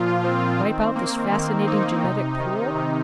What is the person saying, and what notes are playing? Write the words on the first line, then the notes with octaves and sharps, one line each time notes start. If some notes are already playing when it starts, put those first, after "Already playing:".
Wipe out this fascinating genetic pool?
Already playing: A#2 F3 F4
C4
D#3
A#3
D#3
D#4
C3
D#3
C3